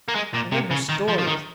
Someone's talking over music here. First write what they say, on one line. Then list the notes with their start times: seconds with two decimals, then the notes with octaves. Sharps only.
And then her stories!
0.09 A#3
0.15 G#3
0.34 A#2
0.52 C3
0.71 C#3
0.89 D#3
1.08 F3
1.18 F3
1.27 D#3